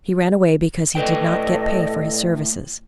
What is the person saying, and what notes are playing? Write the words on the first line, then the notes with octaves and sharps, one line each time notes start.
He ran away because he did not get pay for his services.
A2 A4 B4 D5 D#5 G5